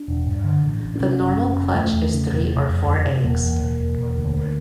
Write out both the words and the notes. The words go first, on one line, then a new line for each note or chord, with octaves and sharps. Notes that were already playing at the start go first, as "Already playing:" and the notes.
The normal clutch is three or four eggs.
Already playing: D4
E1
G2
D3
A1
A1
D4
C3 C#4
F#1
F#1
F#1
E1 A3
E2
C#3
E1
C3
F2
F2
C3
E1 A#3
E2
E1
E1
E1
D2
D2